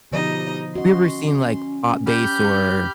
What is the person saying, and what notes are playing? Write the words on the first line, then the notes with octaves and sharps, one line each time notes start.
have you ever seen, like, Pop Bass or
B2 D3 F3 D#4 G4 D#5
C#4 F#4 D#5 C6
G4 B5 F6 G6